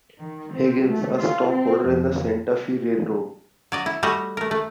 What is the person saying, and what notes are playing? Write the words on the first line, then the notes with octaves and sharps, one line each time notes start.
Higgins, a stockholder in the Santa Fe Railroad.
D#3
C4
A3
F4
C4
F2
F#3 D5 D#5
E4
G3 A3 F#4 D#5 F#5
A3 A#4
A3